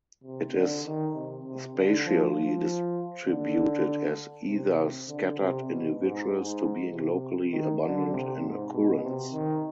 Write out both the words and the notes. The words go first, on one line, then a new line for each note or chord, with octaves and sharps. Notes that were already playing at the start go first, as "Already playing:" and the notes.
It is spatially distributed as either scattered individuals to being locally abundant in occurrence.
C3
D3
D#3
C3
C3
D3
F3
F3
D3
C3
D3
C3
B2
G#2
G#2
C3
D#3
D3
C3
G#2
B2
C3
D#3